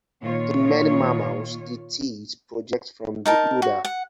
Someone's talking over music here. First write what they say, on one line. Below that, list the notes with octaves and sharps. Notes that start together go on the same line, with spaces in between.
In many mammals the teat projects from the udder.
A#2 D#3 F4 C#5
D#4 A#4 A5
F#4
F#5